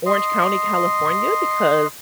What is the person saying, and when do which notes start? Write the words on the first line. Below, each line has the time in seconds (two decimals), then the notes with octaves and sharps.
Orange County, California, because
0.06 D#5 C6